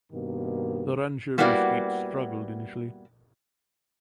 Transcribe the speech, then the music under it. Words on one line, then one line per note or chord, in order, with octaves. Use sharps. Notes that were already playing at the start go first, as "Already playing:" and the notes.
The Rancho Mesquite struggled initially.
G2 B2 D#3 A#3
G3 A#3 B3 E4 F#4 D5